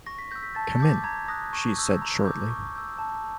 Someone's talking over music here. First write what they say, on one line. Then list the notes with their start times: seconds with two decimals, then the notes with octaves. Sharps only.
"Come in," she said shortly.
0.06 C#6 A#6
0.19 B6
0.31 E6 G6 A#6
0.43 B6
0.55 A5 A6
0.80 D6 G6
1.04 A#5 G#6
1.28 D#6 F#6 A#6
1.53 C#6
1.77 E6 G6
2.02 A#5
2.25 D6 G6
2.50 C#6
2.75 E6 G6
2.98 A5